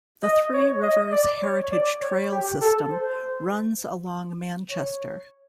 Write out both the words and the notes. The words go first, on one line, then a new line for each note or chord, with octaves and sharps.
The Three Rivers Heritage Trail System runs along Manchester.
D#5
C#5
D#5
D5
C#5
D5
C#5
G4
A4
C5
C#5